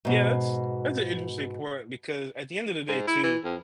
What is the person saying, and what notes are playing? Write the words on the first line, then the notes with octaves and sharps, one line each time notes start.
Yeah, that's that's an interesting point because at the end of the day too,
G#2 B2
G#2
E4
E3
F2